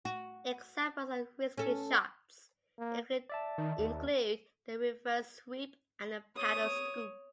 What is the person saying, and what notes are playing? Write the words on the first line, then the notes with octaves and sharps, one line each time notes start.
Examples of risky shots include the reverse sweep and the paddle-scoop.
F#4
C#4 A4
A#3
D5 E5 A5
D#3
D#2
C#5 D#6